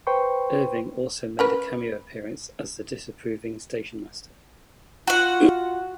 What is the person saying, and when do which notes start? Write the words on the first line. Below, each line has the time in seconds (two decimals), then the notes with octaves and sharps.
Irving also made a cameo appearance as the disapproving stationmaster.
0.07 B4 C5 G5 C6 C#6
1.39 C#4 A#4 B4
5.07 F4 F#4 F#5